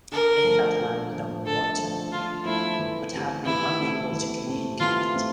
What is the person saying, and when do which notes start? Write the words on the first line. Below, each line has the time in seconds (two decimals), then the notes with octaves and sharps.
It had landed on the water, but had been unable to communicate.
0.12 D3 A#4
0.45 F3 A3
0.79 D3
1.12 F3 A3
1.46 D3 A4
1.79 F3 A3
2.12 D3 F4
2.45 F3 A3 E4
2.79 E3
3.13 A3 C4 G4
3.46 E3 E4
3.80 A3 C4 G4
4.13 E3
4.46 A3 C4 G4
4.80 E3 F4
5.13 A3 C4 G4